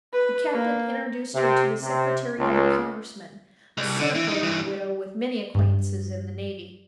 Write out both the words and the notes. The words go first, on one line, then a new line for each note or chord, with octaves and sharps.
The captain introduced her to the secretary of a congressman, a cynical young widow with many acquaintances in the navy.
B4
A#3
C3
C3
C#2
C2
D3
E3
F#2 D#4
G2 E3
G2 D4